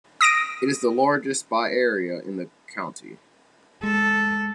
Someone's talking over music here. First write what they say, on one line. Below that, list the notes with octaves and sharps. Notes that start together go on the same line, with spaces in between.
It is the largest by area in the county.
D#6 A#6 D7 D#7
G#3 A4